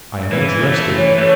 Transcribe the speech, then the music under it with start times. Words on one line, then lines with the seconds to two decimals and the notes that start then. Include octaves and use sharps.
I am much rested.
0.23 E5
0.32 E3 B4 D5
0.61 A3
0.89 E3
0.98 C#5
1.08 D5
1.18 A3 C#5 E5